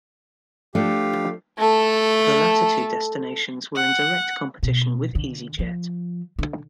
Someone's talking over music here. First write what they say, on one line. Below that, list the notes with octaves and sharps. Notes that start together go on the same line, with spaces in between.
The latter two destinations were in direct competition with EasyJet.
F3 A3 D4 G4 F5
A3 A4
F#5
B2
D3
F3
D3